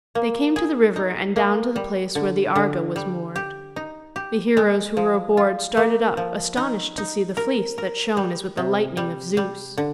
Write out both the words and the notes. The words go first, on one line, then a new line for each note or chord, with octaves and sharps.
They came to the river and down to the place where the Argo was moored. The heroes who were aboard started up, astonished to see the Fleece that shone as with the lightning of Zeus.
A#3
G#4
D#4
A#3
G3
D3
D3
G3
G4
D#4
G4
G#3
F3
F4
A#3
F3
D#4
D#4
A#4
A#4
G3
C3
G3
G3
D3